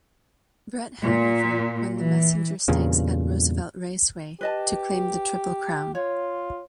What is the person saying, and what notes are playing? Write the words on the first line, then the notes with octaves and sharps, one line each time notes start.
Bret Hanover won the Messenger Stakes at Roosevelt Raceway to claim the Triple Crown.
A#2
E3
E2 G2 A#2 C#3
G4 B4 D#5 A5
F4 C#5